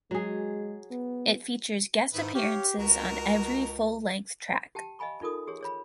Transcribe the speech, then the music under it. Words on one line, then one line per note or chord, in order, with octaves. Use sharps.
It features guest appearances on every full length track.
F#3 G#3 G#4
B3
G#2 D#3 E4 B4
G4 C#5 F5
C#2 F#4 A#4
G4 G5 A5
D#5 F5 G#5 B5 C#6
D#4 F4 A4 A#4 D#6
G4 G#4 C#5
G#4 C#5 B5